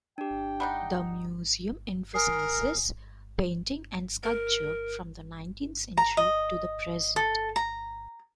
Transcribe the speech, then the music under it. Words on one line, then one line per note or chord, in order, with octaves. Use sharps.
The museum emphasizes painting and sculpture from the nineteenth century to the present.
D4 G4 G5
G3 D4 D#4 F#5
A#4 G#5 D#6 C7
A#4
A#5
D#5
A4
A#5